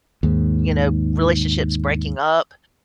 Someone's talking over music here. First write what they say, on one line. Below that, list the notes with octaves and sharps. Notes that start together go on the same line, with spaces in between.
you know, relationships breaking up
D#2 G#2